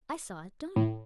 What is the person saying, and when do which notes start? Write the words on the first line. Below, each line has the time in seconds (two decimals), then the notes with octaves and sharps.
"I saw it done."
0.76 A2